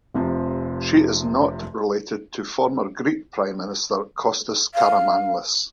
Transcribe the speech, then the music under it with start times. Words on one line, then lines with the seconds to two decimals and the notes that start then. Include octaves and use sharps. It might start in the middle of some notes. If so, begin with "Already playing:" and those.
She is not related to former Greek Prime Minister Kostas Karamanlis.
0.14 F1 C3 F3
4.74 F5